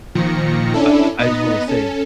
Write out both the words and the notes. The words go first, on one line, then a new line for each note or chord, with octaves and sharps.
I I I just wanna say,
A#2 D#3 F3 A#6 C#7
C#4 D4 E4 A4
B3 D#4 D#5
C#4 A4